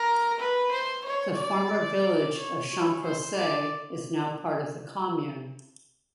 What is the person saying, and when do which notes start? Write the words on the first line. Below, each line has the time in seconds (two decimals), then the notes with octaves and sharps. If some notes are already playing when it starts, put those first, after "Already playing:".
The former village of Champrosay is now part of the commune.
Already playing: A#4
0.40 B4
0.72 C5
1.05 C#5
1.37 D5
2.37 C#5
3.04 C5
3.36 D5